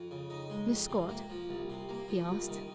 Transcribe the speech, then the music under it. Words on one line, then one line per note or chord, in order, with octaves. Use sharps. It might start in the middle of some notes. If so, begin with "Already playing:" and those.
"Miss Scott?" he asked.
Already playing: F2
C#3
D#4
G#3
F2
C3
A#3
F3
C2
C3
A#3
F3
C2
D#3